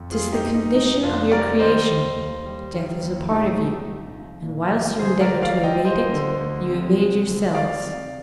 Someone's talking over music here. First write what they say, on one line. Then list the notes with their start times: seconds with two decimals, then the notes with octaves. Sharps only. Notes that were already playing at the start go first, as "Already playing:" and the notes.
'Tis the condition of your creation; death is a part of you, and whilst you endeavour to evade it, you evade yourselves.
Already playing: F2
0.12 F4 G#4
0.19 G3
0.32 D#4 G4
0.46 F1
0.54 D#4
0.75 C3 D#4
1.03 F2 D4 F4
1.32 G3 A#4 D5
1.60 D#3 C5 D#5
1.88 D#2
2.16 D#2
2.46 G3
2.74 D#3
3.01 D#2
3.30 A#2 D#4 G4
3.58 C2
3.87 C2
4.15 F3
4.43 A#2
4.71 C2
4.99 D3 G#4 C5
5.21 A#4 D5
5.29 D2
5.42 D5 F5
5.57 D2
5.63 D#5 G5
5.85 F3 C5 D#5
6.12 D3
6.41 D2
6.70 C3
6.98 G#3
7.27 D2
7.55 F3 D5 F5
7.82 C3